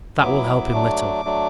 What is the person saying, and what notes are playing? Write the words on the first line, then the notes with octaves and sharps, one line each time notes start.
That will help him little.
F#3 B3 E4 D6
F#3 A3 D4
F#3 A3 D4